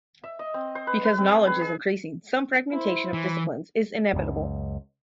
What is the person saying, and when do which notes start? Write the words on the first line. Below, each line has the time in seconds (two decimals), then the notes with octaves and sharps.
Because knowledge is increasing, some fragmentation of disciplines is inevitable.
0.24 E5
0.39 D#5
0.54 C4
0.75 C5
0.87 B4
1.05 B4
1.18 C4
1.30 G#4
1.47 B4
1.61 G#4
2.71 E4 C5
3.13 E3
4.13 C#2 F#2